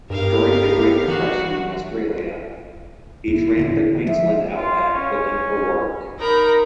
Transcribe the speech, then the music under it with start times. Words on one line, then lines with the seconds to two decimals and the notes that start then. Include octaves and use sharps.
During the Great Depression in Australia he tramped the Queensland outback looking for work.
0.10 G2 B3 D#4 G4 A#4 F5
1.08 E3 F#4
3.28 D#2 E4
3.57 A2 D3 E3
4.07 F3 E5
4.56 F4
4.94 C#4
6.20 D#4 A#4 A#5 B5